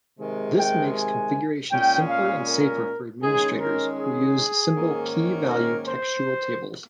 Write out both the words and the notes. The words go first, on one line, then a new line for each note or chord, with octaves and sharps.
This makes configuration simpler and safer for administrators, who use simple key-value textual tables.
C3 D#3 G#3
G5
G#5
A#2 G#3 C#4 G5
F5
A#4
D#3 G#3 C#4 G#4
A#4
G#4
G#2 D#3 A#3 C#4
A#4
C5